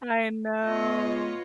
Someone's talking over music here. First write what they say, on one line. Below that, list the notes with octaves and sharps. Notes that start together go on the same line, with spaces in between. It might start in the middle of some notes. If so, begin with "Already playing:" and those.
I know.
B3 F4 C#5 D#5